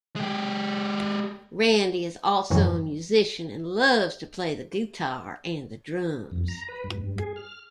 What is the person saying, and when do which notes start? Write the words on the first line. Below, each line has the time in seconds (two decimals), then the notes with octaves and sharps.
Randy is also a musician and loves to play the guitar and the drums.
0.16 G#3 G4
2.50 F#2 A2 E3 F#3
6.31 F2
6.48 A#5
6.68 B4
6.84 G2
6.97 G2
7.19 G#4
7.36 F6